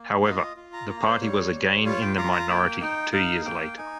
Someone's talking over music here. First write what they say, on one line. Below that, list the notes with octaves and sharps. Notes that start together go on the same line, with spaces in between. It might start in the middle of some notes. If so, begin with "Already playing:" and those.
However, the party was again in the minority two years later.
Already playing: A#3
F4 D#5
F4
A#5
A#3 A#5
C5
G3 C#5
G3
F4 C#5
G5
F4 A#5
A#5
A#3 G5
D#4 G5
D#4 F5
A#3 G5
D#4 G#5